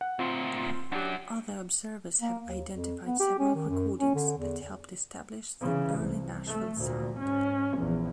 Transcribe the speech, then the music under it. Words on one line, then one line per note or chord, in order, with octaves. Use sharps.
Other observers have identified several recordings that helped establish the early Nashville sound.
F#5
D2 A#2 C4 F4
F#2 F#3 D4 G4
A#3
D#2
F2
B3
G4
C#4
D#3
F#2
C#4
D3
E2
C#3 E3
C2
A3
D2 A#2
G#2 C#4
A#1 E2